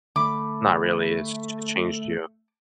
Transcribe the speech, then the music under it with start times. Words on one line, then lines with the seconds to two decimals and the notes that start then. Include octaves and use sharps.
not really, it's ch changed you?
0.16 D3 A3 B5 D6